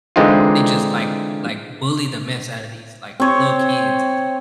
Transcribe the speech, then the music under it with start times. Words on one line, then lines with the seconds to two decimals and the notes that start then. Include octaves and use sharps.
they just, like like bully the mess out of these, like, little kids.
0.16 D3 E3 G#3 C4 D#4 F4
3.20 C4 C#5